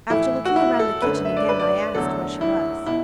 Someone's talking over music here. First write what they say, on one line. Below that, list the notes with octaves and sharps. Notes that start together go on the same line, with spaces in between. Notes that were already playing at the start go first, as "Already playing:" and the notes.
After looking round the kitchen again, I asked where she was.
A2 E3 A3 E4
F#4
E4
A4
F#2 D3 A3 B4
E5
D5
B4
D5
E2 D3 F#3 A3 A4
E4
B2 E4